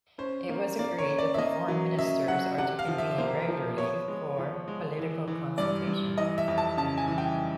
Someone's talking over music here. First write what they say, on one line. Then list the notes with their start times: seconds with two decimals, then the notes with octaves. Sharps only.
It was agreed that the Foreign Ministers are to convene regularly for political consultations.
0.18 C#4 C5
0.49 A#3
0.79 A#3 D5
0.99 C#5
1.08 C#4
1.19 D5
1.34 E5
1.38 A#3 D#5
1.68 F#3
1.99 C#4 E5
2.28 F#3 F#5
2.58 C3 F#5
2.79 F5
2.88 F3
2.98 E5
3.18 A#3 C5
3.48 F3
3.78 B3 C#5
4.08 G#3
4.39 F3
4.68 G#3
4.98 E3
5.28 E3
5.58 G2 D5
5.87 G2
6.18 E3 D#5
6.38 E5
6.48 F2
6.58 A5
6.77 C#3 A5
6.98 G#5
7.08 E3
7.18 G5